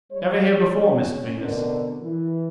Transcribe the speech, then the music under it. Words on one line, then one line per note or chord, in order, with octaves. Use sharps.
Ever here before, Mr Venus?'
G3 C#5
C#4
B2 D3 C4 A#4
E3